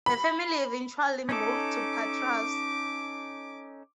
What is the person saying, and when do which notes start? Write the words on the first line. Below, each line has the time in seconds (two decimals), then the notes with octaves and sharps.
The family eventually moved to Patras.
0.06 B5
1.29 C#4 D#4 A4 D6